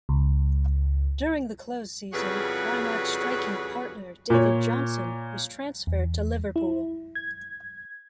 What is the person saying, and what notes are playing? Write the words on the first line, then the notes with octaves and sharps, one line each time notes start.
During the close season Whymark's striking partner David Jonson was transferred to Liverpool.
C#2
F2 C#3 G3 F#4 G#4 B4
A#2 C#5
E2
E4
G#6